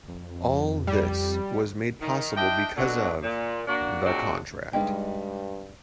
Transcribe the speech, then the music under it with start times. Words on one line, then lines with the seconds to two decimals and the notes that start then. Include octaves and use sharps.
All this was made possible because of "the contract".
0.08 F2
0.87 G3
2.02 D#3
2.36 D4 E4 D#5 G5
2.77 B2 D3 F#3
3.23 A#2
3.67 A#3 D4 F#4
4.05 A#2 C#3 G#3 C4 D4 F#4
4.73 G2 G3 G#3 D#4 G5